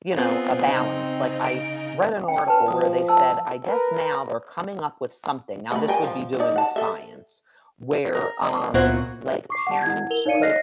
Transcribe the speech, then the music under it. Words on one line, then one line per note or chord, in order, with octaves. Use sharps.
you know, a balance. Like, I read an article where they said, I guess now we're coming up with something, now this would be doing with science. Where, um, like, parents could
B3 C4 F4 G#4
C#3 D#4
D7
C#4 G5
B4 A5
F3 D#6
A5 E6
A#4 B4
A3 B5
A#4 G5 G#5
F3
D#4 D5
F#5 A5
A4 E5
A#4
D5 D#5 C6
C#2 A#2 F#3 B3 C4 E4 F#4 C5
C#6 D6 C7
F#5 A5
E4 F#5 G#6
A#4 F7 G7
D#4 C#5 D5 F5 C#7 D#7
C#5 D#5 F6 F#6 A#6 C7